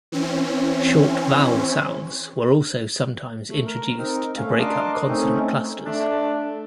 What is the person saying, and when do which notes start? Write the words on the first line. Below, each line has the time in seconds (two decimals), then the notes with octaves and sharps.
Short vowel sounds were also sometimes introduced to break up consonant clusters.
0.12 E3 C4 C#4
3.49 A3
3.65 A#4
3.98 C4 D#4 A#4
4.36 A3 C#4 F5
4.59 D4 A#4 D#5 A5 C6 D6
5.08 A3 C4 C#4 D#4
5.85 A3 D4